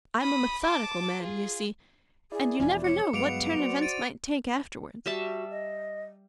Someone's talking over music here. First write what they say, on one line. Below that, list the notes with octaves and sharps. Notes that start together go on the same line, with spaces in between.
I am a methodical man, you see, and you never know what turn events might take afterwards.
B5 D#6
A5 D6
F4 G#4
E4 G#4 D5
E1 E2 F3 G#5
C#5 D6 C#7
G2 F#3 G#3 B3 F5 D6 D7 F7
F#4 C5 D5
A6 D7 D#7
G3 F#4 E5 A5
D#5